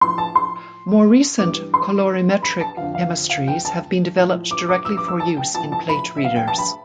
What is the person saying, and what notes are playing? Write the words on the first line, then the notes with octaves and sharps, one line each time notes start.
More recent colorimetric chemistries have been developed directly for use in plate readers.
A2 F3 C6
A5
C6
G2 E3 D6
C6
B5
A5
F2 D3 F3 F5
F5
F5
G5
A5
A2 F3
D6
D6
E6
D6
E6
A5
G5
A2 F3 A5
A5
B5
E5
F5
G5
A5
B5